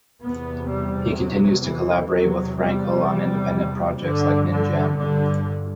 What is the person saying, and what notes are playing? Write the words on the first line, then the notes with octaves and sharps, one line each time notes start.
He continues to collaborate with Frankel on independent projects like Ninjam.
E2 C3 B3
G3
F#3
E3
E2 C3 F#3
G3
G2 D3
D3
D3